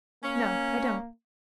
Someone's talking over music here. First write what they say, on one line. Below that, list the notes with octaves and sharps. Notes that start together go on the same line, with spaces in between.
"No, I don't."
A#3 C#4